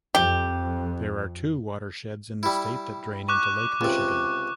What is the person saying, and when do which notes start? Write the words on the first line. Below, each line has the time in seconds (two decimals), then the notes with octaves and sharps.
There are two watersheds in the state that drain into Lake Michigan.
0.15 F2 G4
2.43 G3 E4
3.29 C#6 D6 F#6
3.81 C#2 C3